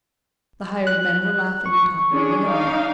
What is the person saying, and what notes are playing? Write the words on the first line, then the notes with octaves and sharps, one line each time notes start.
The hired men were laughing and talking in the yard.
F#6
C#6
C#4 D4 G#4
D4 D#4 F5